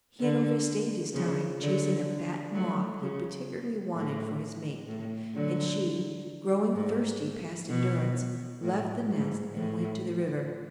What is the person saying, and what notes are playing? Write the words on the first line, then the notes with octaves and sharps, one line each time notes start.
He had overstayed his time, chasing a fat moth he particularly wanted for his mate, and she, growing thirsty past endurance, left the nest and went to the river.
D3
C#3 F3
D3 F#3
F#3 A3
C#3
A2
A2
D3 F#3
G#2
B2
A2
G#2
A2